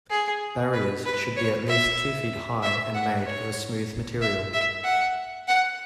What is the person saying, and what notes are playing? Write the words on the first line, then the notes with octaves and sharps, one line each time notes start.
Barriers should be at least two feet high and made of a smooth material.
G#4
B4
B4
C#5
E5
E5
F#5
C#5
E5
E5
F#5
F#5